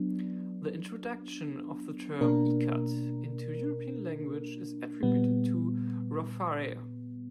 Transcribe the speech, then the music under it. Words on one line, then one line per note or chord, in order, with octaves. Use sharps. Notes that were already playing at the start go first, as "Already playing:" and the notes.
The introduction of the term "ikat" into European language is attributed to Rouffaer.
Already playing: F#3 B3 D4
B2 A#3 D4 A#4
A#2 G3 B3